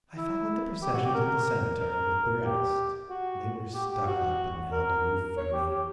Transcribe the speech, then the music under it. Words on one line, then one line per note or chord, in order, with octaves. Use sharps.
I followed the procession to the cemetery with the rest; they were stuck-up and held aloof from me.
E4
G4
F#4
G4
A#4
A#4
G4
F#4
G4
G4
F#4
A#4
C#5
G4
G4